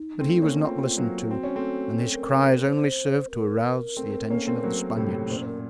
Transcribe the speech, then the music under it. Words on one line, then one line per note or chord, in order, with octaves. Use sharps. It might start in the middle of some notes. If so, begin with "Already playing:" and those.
But he was not listened to, and his cries only served to arouse the attention of the Spaniards.
Already playing: D#4
A3 C4
A#3 C#4
A3 C4 F4
F#3 A#3
A4
C4 F#4
C#4
A3 C4
A#4
A4
A#4
C5
A#4
A3 C4
A#3 C#4
A3 C4
F#3 A#3
A2 C3
F#2 A#2 C5
C5
A#4